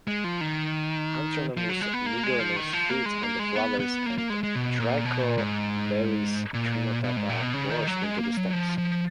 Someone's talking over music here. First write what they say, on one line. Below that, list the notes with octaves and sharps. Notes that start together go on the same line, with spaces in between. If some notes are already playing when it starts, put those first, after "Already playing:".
"Anthonomus nigrinus" feeds on the flowers, and "Trichobaris trinotata" bores into the stems.
G#3
F3
D#3
F3
F#3
G#3
B3
A#3
G#3
F3
D#3
F3
A#3
G#3
A#3
G#3
B3
B3
A#3
A#3
G#3
G#3
B2
A#2
B2
A#2
G#2
A#2
B2
G#2
A#2
B2
C#3
D#3
F#3
G#3
A#3
F#3
F3
F3